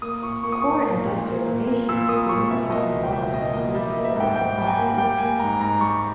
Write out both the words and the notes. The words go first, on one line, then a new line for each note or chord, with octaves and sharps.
Core industrial nations seem to have more of an ideal open class system.
A#3 D#6
A#2 C#6
A#3 C#6
D#6
A#2 C#6
A#3
A#2
A#3
A#2
A#3
A#2 E6
A#3 D#6
A#2 C#6
B2 E5
A#3 D#5
C#2
G5
C#2 E5
B2 D#5
A#3 D#5
G3 E5
A#3 D#5
E5
G#2 G5
G#2 G5
G3 G5
G#5
A#3
G3 G5
A#3 G#5
G#2 A#5
G#2 A#5
G3 C#6